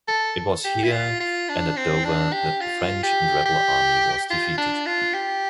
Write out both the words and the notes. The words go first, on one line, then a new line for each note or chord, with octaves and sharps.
It was here and at Dover that the French and Rebel army was defeated.
A4
G4
E4
F4
F4
D4
C4
D4
G4
F4
G4
G4
F4
D4
F4
G4